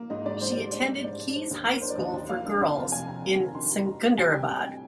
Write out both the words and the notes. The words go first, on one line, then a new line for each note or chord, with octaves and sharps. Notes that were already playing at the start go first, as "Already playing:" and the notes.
She attended Keyes High school for girls in Secunderabad.
Already playing: A#3
G#2 D#5
G#2 D5
G#2 C5
G3
D4 D5
G#2
G#2 D5
D4
D4 C5
D#2
A#3
A#4
D4 C5
D5
D#2 D#5
D#2
A#3 F5
D4
F2
F1
F1 G#5
F2 A#5
F1
D#3
D#3 C6
G3 A#5
F2 A#5
G3
G3 G#5
G3 G5
F2 G5